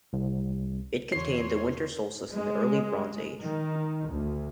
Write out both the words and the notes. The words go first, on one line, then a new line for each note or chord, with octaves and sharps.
It contained the winter solstice in the Early Bronze Age.
C2
E2 C#5 C6 C7
G#3
D#3
D2